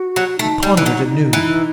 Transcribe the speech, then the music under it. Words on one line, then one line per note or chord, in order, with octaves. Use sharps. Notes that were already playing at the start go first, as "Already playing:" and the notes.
He pondered anew.
Already playing: F#4
F#3
A3 D#4
G3
E3
F#3
E3